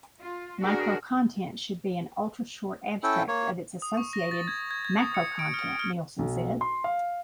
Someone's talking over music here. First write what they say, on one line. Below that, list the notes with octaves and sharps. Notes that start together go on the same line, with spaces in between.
"Microcontent should be an ultra-short abstract of its associated macrocontent," Nielsen said.
F4
D4 F#4 G#4 A#4
C#4 E4 A4 G5
A#3 C#5
D#6
C#6
A#6
A6
G#6
G#6
G#6
D#6
C#7
D7
F6
F6
B1
C6
F5